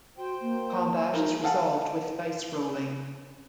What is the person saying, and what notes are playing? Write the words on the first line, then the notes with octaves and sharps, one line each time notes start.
Combat is resolved with dice rolling.
F#4 C5 G5
A#3
D#4 G#4 A#4
A4 F5 F#5 G#5